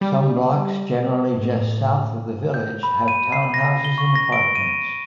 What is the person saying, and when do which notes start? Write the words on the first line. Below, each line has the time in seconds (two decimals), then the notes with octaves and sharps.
Some blocks, generally just south of the Village, have townhouses and apartments.
0.01 G3
1.34 A2
2.54 G6
2.83 B5
3.08 D#7
3.32 C7
3.54 A#6
3.85 G7
3.98 C#6
4.15 A#6
4.32 D7
4.55 D#7